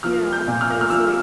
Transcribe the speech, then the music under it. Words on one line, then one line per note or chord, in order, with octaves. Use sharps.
Yeah, and it's, like
F3 F6
G6
A#2
F6
F6
F3 E6